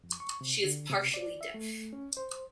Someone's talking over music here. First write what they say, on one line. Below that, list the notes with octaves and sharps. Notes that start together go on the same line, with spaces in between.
She is partially deaf.
F2
C#6
C3
D3
C3
D5
E5
A3
C#4
C5